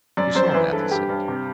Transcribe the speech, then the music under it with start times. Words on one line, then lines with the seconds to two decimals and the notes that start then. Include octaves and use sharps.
"You saw that?" he said.
0.17 F#2 D5
0.35 F#2 C5
0.54 E3 B4
0.72 G2 A4
0.91 G2 G4
1.09 G2
1.28 C3